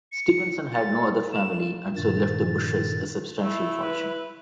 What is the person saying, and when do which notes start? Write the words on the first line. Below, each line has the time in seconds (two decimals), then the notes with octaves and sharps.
Stevenson had no other family and so left the Bushes a substantial fortune.
0.12 C#7
0.73 A6
1.33 E7
1.96 G2 A#2 D#3 A6
3.43 A3 E4
3.82 B4